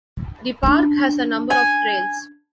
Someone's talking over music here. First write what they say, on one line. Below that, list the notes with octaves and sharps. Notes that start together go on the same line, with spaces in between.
The park has a number of trails.
C#4 D4
G#5